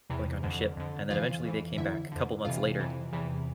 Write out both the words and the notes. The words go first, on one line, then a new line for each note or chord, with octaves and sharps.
like, on a ship, and then eventually they came back a couple months later,
E2 C3 E3
F2 D3
F2 D3
F2 E3 F4 F5
F2 E3
F2 D3 E4 E5
F2 D3
F2 C3 E3 F4 F5
F2 C3 E3
E2 C3 E3